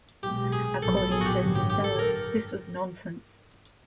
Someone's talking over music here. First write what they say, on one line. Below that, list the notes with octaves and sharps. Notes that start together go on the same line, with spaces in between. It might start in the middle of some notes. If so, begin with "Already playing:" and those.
According to Syncellus this was nonsense.
B1 B2 G#3 G4
G#4
A#1 A#2 F#3 B3 A4
A4
G#4
F#4
G4
G#1 F#2 D3 F#3
G4
G4
A4
A#4